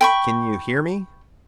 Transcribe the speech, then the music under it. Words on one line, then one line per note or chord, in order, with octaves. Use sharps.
Can you hear me?
G5 B5 C#6